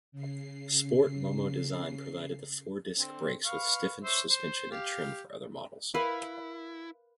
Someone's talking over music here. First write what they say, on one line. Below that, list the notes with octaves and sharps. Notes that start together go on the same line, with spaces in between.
Sport MomoDesign provided the four-disc brakes with stiffened suspension and trim for other models.
C#3 C7
D3 C4
B4 F5 C#6
C5 C#5 E5
C5
G4 F5
E4 A#4 B4 F5